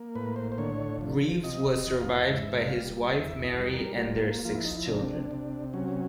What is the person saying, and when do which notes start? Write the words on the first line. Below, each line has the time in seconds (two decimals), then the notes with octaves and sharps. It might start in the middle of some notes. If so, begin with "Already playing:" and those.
Reeves was survived by his wife Mary and their six children.
Already playing: A#3
0.15 A2 B4
0.36 C5
0.52 C5
0.58 D3 C#5
1.01 F3
1.44 C3 D#5
1.73 D#5
1.87 E2
2.01 F5
2.30 G#2 E5
2.59 F5
2.73 G3
3.16 E2 E5
3.44 D#5
3.59 G3
3.73 A#4
3.96 F#4
4.02 A#3 F4
4.45 F3 F4
4.55 E4
4.65 D#4
4.76 E4
4.87 C3 D4
5.31 C3
5.74 F#3 C#4